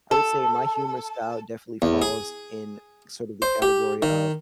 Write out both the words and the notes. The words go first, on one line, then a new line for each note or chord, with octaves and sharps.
I would say my humor style definitely falls in sort of the category of
A4
E2
G#4
C5
G4
D#3